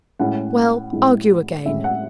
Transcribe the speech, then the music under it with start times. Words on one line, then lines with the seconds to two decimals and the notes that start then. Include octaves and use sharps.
"Well, argue again."
0.19 A2 G#3 C#4 E4 F#5
0.93 A2 G#3 C#4 E4
1.65 A2 G#3 C#4 E4 E5
1.84 F#5